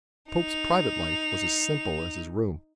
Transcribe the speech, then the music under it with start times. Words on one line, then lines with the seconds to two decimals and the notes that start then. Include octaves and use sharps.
The Pope's private life was as simple as His room.
0.30 D#4 F7